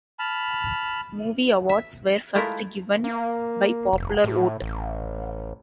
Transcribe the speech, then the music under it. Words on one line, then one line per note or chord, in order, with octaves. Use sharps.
Movie awards were first given by popular vote.
A5 B5 F6
E5
G#3 A3 E4 F4 A#4
A#3
F1
A2
A1